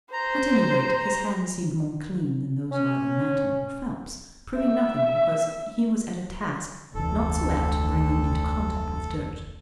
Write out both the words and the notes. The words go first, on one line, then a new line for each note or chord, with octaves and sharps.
At any rate, his hands seemed more clean than those of either Manton or Phelps, proving nothing because he was at a task not so apt to bring him into contact with dirt.
C5 A#5
C#4
E5
F1 D2 E3 A4